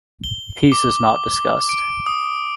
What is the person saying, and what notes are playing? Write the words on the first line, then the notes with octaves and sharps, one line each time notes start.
Peace is not discussed.
G7
D6
D7
D#6